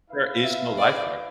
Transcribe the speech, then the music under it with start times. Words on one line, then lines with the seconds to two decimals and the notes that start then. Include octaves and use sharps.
There is no lifeguard.
0.09 E4 B4 F5
0.44 E5
0.78 D5